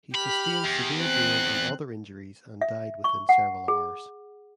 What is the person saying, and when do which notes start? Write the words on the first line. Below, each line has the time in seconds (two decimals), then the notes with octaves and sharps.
He sustained severe brain and other injuries and died within several hours.
0.15 G4 B5 F6
0.64 E2
0.99 C4 F#6
2.61 E5
3.04 C#6
3.29 F#5
3.68 G#4